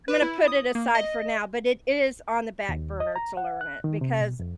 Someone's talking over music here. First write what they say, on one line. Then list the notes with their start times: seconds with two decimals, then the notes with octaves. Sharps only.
I'm gonna put it aside for now, but it is on the back burner to learn it because,
0.08 B4
0.22 E4
0.48 D#6
0.75 A#3
0.95 D#5
2.69 D#2
3.00 D#5
3.16 A#5
3.37 F#5
3.61 F#6
3.84 D#3
4.01 C3
4.20 B2
4.39 F2